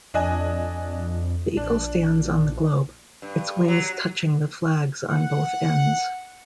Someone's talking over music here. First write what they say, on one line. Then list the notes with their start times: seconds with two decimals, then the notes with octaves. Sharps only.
The eagle stands on the globe, its wings touching the flags on both ends.
0.14 F2 D4 D#5 G#5
1.57 A#1 D4
3.22 G2
3.68 F#3
5.09 F#5